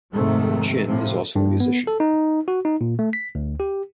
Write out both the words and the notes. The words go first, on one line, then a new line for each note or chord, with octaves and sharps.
Chin is also a musician.
F1 G#2 C3 D#3 G#3 A3
A2 C3 F3
G2
B3
A4
D#4
F#4
D#4
A#2
A3
B6
D2
G4